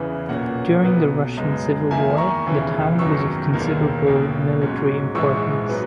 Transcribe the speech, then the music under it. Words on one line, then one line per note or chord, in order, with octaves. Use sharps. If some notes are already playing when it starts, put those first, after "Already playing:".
During the Russian Civil War, the town was of considerable military importance.
Already playing: E2 C#3 E3 B3
B1 A#2 A#3 C#4 F#5
B1 B2 F#3 B3
F#2 C#3 G#3
E2 D#3 A#3 E5 G#5
A#5 C#6
E1 D#2 C#3 E3
G#1 F#2 D#3 F#3 B3 C#6 E6
E1 D#2 D#3 A#3
B1 B2 A#3
G#2 F#3 C#4
A#1 G#2 E3 G#3 C#6 E6
F#3 B3